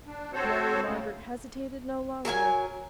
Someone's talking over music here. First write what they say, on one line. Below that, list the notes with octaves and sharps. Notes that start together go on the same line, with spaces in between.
Mary Margaret hesitated no longer.
D4
C4 F#4 A4 C5 C#5
A2 C#3
F#3 A#4 E5 G#5